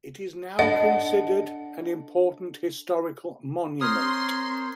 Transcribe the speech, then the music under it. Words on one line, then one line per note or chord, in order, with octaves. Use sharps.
It is now considered an important historical monument.
D4 A4 D#5 F#5
C4 A#4 C5 C#5 C6 D#6 F6